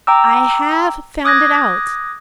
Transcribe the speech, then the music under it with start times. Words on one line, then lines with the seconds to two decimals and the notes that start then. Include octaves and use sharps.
I HAVE found it out.
0.07 G5 A#5 D6 E6
1.25 D6 D#6 F#6 G#6 A#6